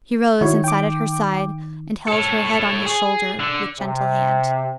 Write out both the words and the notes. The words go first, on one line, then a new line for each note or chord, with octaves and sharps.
He rose and sat at her side and held her head on his shoulder with gentle hand.
D#3 E4 F#4 C#5
G5 D6
A4 C#5
G#4
D3
C3